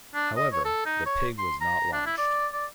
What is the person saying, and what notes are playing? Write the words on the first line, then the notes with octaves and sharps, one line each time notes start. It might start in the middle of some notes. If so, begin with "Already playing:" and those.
However, the pig was not launched.
D4
D#5
C#5
A4
D#4
C#5
C6
A#5
D4
E4
D5
D5